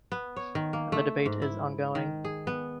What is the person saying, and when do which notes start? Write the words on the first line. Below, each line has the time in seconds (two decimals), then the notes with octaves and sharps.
The debate is ongoing.
0.12 B3
0.36 C#5
0.55 D#3
0.73 A#3
0.92 A3
1.26 G#2
1.42 E4
1.95 D#3
2.25 G#4
2.47 B3